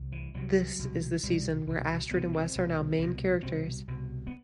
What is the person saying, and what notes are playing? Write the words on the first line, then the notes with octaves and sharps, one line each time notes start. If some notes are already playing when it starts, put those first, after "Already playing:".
This is the season where Astrid and Wes are now main characters.
Already playing: C2
E3
C2 C3 F#3
C2 B2
C2 B2 G3
C2 B2
C2 B2 B3
C4
C2 B2
C2 B2
C2 B2 C4
C2 B2
B3